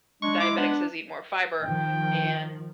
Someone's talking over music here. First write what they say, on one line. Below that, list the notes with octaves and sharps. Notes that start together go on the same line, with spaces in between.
diabetics says eat more fiber, and
G#3 D4 C#6
E4 D6
B3 D4
D#3 F3 G5